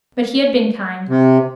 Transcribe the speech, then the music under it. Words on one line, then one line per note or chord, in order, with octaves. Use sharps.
But he had been kind.
C3